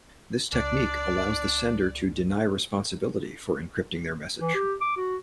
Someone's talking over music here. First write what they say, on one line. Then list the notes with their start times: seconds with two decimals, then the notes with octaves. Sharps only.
This technique allows the sender to deny responsibility for encrypting their message.
0.53 C#2 D4 D5
4.41 E3
4.54 G4
4.81 D6
4.97 F#4